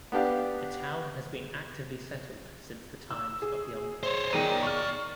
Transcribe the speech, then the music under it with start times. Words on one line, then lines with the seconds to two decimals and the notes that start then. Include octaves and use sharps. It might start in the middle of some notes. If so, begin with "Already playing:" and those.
The town has been actively settled since the times of the Umbri.
0.12 B3 D4 G4 F5
3.10 E6
3.42 G#4
4.03 C5 C#5
4.33 D#3 G#4 D5 A#5 D#7
4.63 C#6 F6